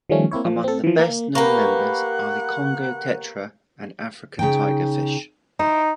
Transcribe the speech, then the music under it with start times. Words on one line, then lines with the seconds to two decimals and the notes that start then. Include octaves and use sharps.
Among the best known members are the Congo tetra, and African tigerfish.
0.10 D#3 F3 G3 A3 C#4
0.31 A#3 C4 E4 C#5
0.45 F3
0.64 C4 A4
0.84 E3 F3
0.99 A#3
1.35 A#3 G4 A#4 B4 F#5 A#5 C#6
4.39 C#3 D#4 G5
5.59 D#4 E4 C5